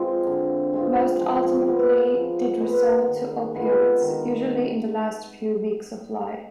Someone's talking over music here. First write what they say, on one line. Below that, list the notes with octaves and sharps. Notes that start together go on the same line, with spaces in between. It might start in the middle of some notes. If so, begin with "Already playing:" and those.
Most ultimately did resort to opioids, usually in the last few weeks of life.
Already playing: G#3 C4 F4
D3
G#3 C4 F4
F3
G#3 B3
F3
G#3 B3
D#3
G#3 B3 F4
D#3